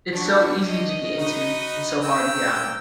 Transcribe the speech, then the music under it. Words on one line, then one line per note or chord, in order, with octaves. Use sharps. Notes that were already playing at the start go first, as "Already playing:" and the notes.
It's so easy to get into and so hard to get out of.
D4 F#4 G4 C#5
D#5
D#4 F#4 B4
G5 A#5 E6